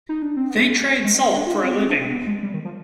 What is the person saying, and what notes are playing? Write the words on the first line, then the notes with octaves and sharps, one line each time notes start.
They trade salt for a living.
D#4
D4
C4
B3
G#3
B3
C4
D4
F4
D#4
C4
B3
C4
D4
C4
B3
G#3
G3
D#3
F3